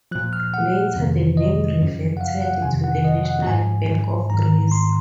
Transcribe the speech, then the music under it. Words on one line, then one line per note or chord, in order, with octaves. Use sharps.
Later the name reverted to the National Bank of Greece.
A#2 F3 F#6
F6
F#5
F2 C3 D#3
D#5
F#2 C#3 F3
F#5
F5
F#5
F2 C3 D#3 G#5
F#5
D#5
F#5
G#2 F3 G#5
G#2 D#3 A#5
C6